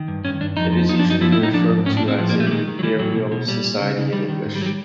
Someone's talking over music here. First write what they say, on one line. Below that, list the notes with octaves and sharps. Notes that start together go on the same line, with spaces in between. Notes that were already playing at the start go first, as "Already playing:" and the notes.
It is usually referred to as a burial society in English.
Already playing: D#3
G2
G2 C#4
G2 D4
F2 D#4
F3
F3 D#4
D4
F#2
D#4
F3 E4
E4
A2
D#4
F3 D4
G#2
A2 C#4
D4
A2
C4
F3
A#3
A#2
A3
G3
D#3 G#3
D#3
F#3
E3 G3
A2 F#3
B2
B2
A#2 G3
A#2
C#3
C#3
D#3 G3
D#3
G#2
G3
F#3
G3